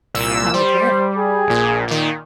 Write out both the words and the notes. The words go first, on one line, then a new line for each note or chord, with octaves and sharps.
"Time to play."
C2 A#2 E6
G3 C5
G#4
A#1 A#2
A#2 D#3